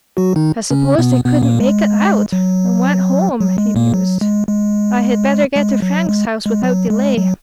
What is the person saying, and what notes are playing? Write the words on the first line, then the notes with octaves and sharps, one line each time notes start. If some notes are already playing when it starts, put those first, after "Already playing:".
"I suppose they couldn't make it out and went home," he mused. "I had, better get to Frank's house without delay."
F#3 F#4
D#3 D#4
C#3 C#4
B2 B3
B2 B3
A#2 A#3
G#3
F#3
F#3
G#3
A#2 A#3
F#3
G#3
G#3
G#3
F#3
G#3
G#3
F#3
G#3
F#3